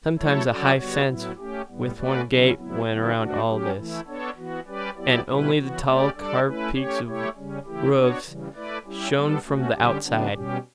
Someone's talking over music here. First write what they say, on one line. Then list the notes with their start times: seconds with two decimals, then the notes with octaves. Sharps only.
Sometimes a high fence with one gate went around all this, and only the tall, carved peaks of roofs showed from the outside.
0.18 F#3 A3 E4 A4 C#5
0.48 F#3 C#4 F#4 A4 D5
0.78 D3 G3 B3 F#4 C#5
1.08 A2 F#3 B3 E4
1.38 A3 C#4 G4
1.68 A2 G3 B3
1.97 A3 C#4 F#4 B4 D5
2.27 C#3 F#3 C#4 E4
2.57 F#3 B3 E4
2.87 D3 F#3 B3 E4
3.17 A3 D4 F#4
3.47 F#3 C#4 G4
3.76 E3 A3 E4
4.06 B3 D4 A4 C#5
4.36 E3 B3 F#4
4.66 G3 C#4 G4 B4 D5
4.96 F#3 B3 E4 G4 D5
5.26 B2 G3 C#4 E4 B4
5.56 C#3 E3 B3 F#4
5.85 A3 C#4 G4 D5
6.15 G3 D4 A4 D5
6.46 A3 C#4 E4 B4
6.75 A3 C#4 G4 C#5
7.05 A3 E4 G4 C#5
7.35 C#3 G3 C#4
7.65 C#3 E3 A3 E4 G4
7.95 B3 D4 F#4 C#5
8.25 C#3 E3 G3
8.54 A3 E4 B4 D5
8.84 G3 C#4 E4 G4
9.14 G3 B3 D4 A4
9.44 A3 C#4 F#4
9.74 D3 G3 C#4 G4
10.04 C#3 F#3 B3 D4
10.34 B2 G3 C#4 G4